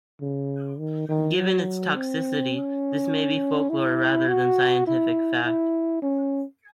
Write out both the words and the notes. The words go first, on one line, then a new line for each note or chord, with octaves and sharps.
Given its toxicity, this may be folklore rather than scientific fact.
C#3
D#3
D#3
F#3
C4
C#4
E4
F#4
E4
E4
C#4